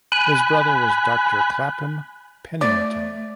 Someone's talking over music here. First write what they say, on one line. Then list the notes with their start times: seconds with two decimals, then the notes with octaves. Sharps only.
His brother was Doctor Clapham Pennington.
0.12 G#5 B5 F#6
2.61 A3 D5